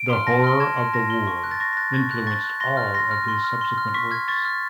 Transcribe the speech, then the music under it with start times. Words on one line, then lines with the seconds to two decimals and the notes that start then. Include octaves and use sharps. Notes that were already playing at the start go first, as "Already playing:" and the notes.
The horror of the war influenced all of his subsequent works.
Already playing: D7
0.10 C6 F6
0.26 A5 A#6
0.44 C6 F6
0.60 A5 G#6
0.77 C6 F6
0.93 A5 A#6
1.10 C6 F6
1.27 C#6
1.44 F#6
1.51 A6
1.60 C#6 A#6
1.73 A#6
1.77 F#6 A6
1.94 C#6 G#6
2.11 F#6
2.27 C#6 A6
2.44 F#6
2.60 C6 A#6
2.77 F6
2.94 C6 A#6
3.11 F6
3.28 C6
3.44 F6
3.61 C6
3.78 F6
3.94 C#6 B6
4.11 F6 G#6
4.28 C#6 A6
4.45 F6